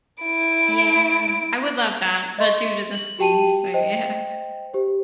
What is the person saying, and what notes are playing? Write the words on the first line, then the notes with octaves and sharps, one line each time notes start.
Yeah. I would love that, but due to the space, I yeah.
E4 D7
D#5 E5 C6 C#6
F#7
F#4 G4 G5 A5 D#7
C5 D#5 G5
G4 C5